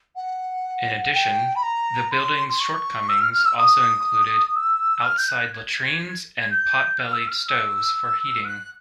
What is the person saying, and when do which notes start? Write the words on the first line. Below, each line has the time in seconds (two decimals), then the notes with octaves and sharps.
In addition, the buildings' shortcomings also included outside latrines and potbellied stoves for heating.
0.15 F#5
1.13 G5
1.55 B5
1.62 A#5
2.11 C6
2.48 C6
2.60 C#6
3.08 E6
3.21 F6
3.33 F6
3.45 E6
3.57 D#6
4.55 E6
5.03 F6
5.17 G6
5.28 F#6
5.52 G#6
6.38 G#6
6.50 G6
6.98 F6
7.12 E6
7.27 F6
7.47 E6
8.44 F#6